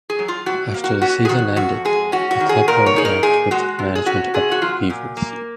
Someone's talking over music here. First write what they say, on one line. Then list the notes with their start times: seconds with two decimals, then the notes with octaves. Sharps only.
After the season ended, the club were wracked with management upheavals.
0.10 G#4
0.19 F#3
0.28 F4
0.46 C3 F#4
0.74 A#3
0.84 F#4
1.01 C#4 F#4
1.25 G#4
1.29 D#3 F#4
1.56 F2 F#4
1.85 G#3 G#4
2.12 C#4 F#4
2.31 F#4
2.40 D#3
2.49 G#4
2.68 A#2 A#4
2.86 C#5
2.96 D#4 G#4
3.05 A#4
3.23 A#2 G#4
3.51 G#3 F#4
3.79 C3
3.95 G#4
4.06 C#4 F#4
4.34 C3 G#4
4.52 F#4
4.62 F#3 F4
4.90 A#2
5.17 A#3